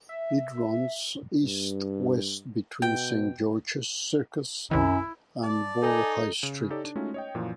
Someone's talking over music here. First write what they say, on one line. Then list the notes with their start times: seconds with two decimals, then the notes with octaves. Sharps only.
It runs east-west between Saint George's Circus and Borough High Street.
0.09 E5
1.42 G2
2.82 B2 G5
4.71 C2 F#2 C3 D#3 E4
5.43 D5 A5
5.83 D#4 A4 G#5
6.43 C#3
6.70 D#4 G4 A4 C#5 D5
6.84 D4
6.95 G#3 A3 C#4 D#4 F4 F#4
7.14 C#5 D#5 G5
7.35 F#2 A#2 E3 F3